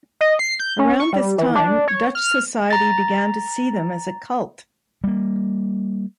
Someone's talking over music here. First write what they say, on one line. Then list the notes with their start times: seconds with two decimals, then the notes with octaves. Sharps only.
Around this time, Dutch society began to see them as a cult.
0.21 D#5
0.39 C7
0.59 G6
0.79 C#4
1.00 C#6
1.13 G3
1.38 E3
1.55 D4
1.88 C#5
2.15 F6
2.70 A#5 A6
5.04 G3 A#3